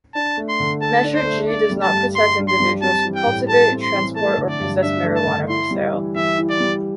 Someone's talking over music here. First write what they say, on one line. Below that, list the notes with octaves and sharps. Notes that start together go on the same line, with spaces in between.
Measure G does not protect individuals who cultivate, transport or possess marijuana for sale.
D4 A5
A3
C6
D3
A4 A5
D4
C5
A3
D4 D5
G3
A5
G2
G2 C6
D4
C6
G3
C4 A5
E3
G5
A2
A4 A5
C4
C6
E3
A3 A5
D3
D5
G2
D4 E5
A3
A5
D3
E4 C6
G3
E3
E3 E5
E4
D5
G3